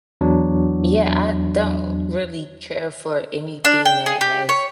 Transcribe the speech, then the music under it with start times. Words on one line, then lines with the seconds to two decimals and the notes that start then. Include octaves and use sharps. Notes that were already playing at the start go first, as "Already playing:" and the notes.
Yeah, I don't really care for anything that has,
0.21 E2 F#3 D4
3.65 D4
3.85 G5
4.06 G#4
4.21 G4
4.49 C#5